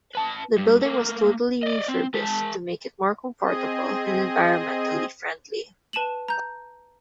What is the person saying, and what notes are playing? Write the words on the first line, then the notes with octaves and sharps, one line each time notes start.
The building was totally refurbished to make it more comfortable and environmentally friendly.
B4 A5
G2
A3 A#3
D5 D#5
C4
G#3 A5
C4 G#4 D#5
B4 A5 D#7 E7 F#7
A#5 G6